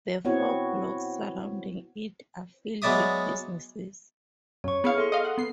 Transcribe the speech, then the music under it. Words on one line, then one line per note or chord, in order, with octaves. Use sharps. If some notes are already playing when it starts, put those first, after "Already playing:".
The four blocks surrounding it are filled with businesses.
B3 C4 E4 F#4 C#5
F#3 G#3 B3 D5 E5 D#6
F#2 C#5 C#6
B3 E4 G#4 F5 C#7
A4 C6
D#5 F5
F#5
B3 C7